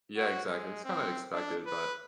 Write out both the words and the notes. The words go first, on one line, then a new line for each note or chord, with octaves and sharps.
Yeah, exactly, it's kind of expected, but
F#4
G#3
C4
D4
B4